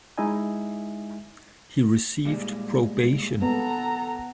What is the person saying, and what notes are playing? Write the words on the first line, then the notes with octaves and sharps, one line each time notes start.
He received probation.
G#3 D#4 E4 D#5 E5 G#5
A#2 G3 G#3
B3 A4 A#5